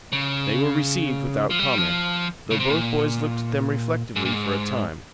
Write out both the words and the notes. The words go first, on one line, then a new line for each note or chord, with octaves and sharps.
They were received without comment, though both boys looked at them reflectively for a time.
C#3
F3
G3
F3
C#3
C3
A#2
G#2
A#2
G#2